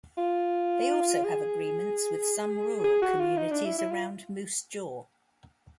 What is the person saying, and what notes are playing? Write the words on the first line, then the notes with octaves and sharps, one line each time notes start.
They also have agreements with some rural communities around Moose Jaw.
F4
G#4
G#4
F#4
F4
D#4
D4
E4
E4
F4